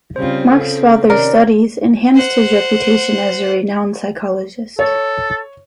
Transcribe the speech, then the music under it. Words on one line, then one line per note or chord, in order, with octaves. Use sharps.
Mark's father's studies enhanced his reputation as a renowned psychologist.
C#3 G3 C4 F4 C5
C#3 C4 A4
C3 D#3 C4 C#4 A#4 D5
C5 F#5
A4 C#5